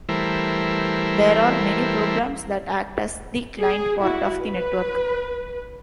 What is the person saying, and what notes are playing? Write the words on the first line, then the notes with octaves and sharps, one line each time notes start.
There are many programs that act as the client part of the network.
E3 G3 A3 E4 A#4 C5
G#4
E4 F#4
B4